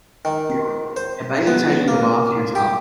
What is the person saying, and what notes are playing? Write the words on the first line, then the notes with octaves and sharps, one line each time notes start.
A baby taking a bath in a tub.
D#3
C5
B3
A#3
G4